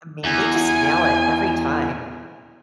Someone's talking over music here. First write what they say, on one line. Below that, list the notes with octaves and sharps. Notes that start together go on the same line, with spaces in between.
I mean, they just nail it every time.
E2 G#5